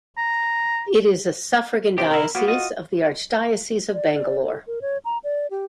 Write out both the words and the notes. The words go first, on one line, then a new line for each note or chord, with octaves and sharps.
It is a suffragan diocese of the Archdiocese of Bangalore.
A#5
C3 D4 G4
C3 E4 A#4
A#3 B3 F#4
F4 F#4 D#5
D5
A4
A#4
C#5
A#5
D5
G4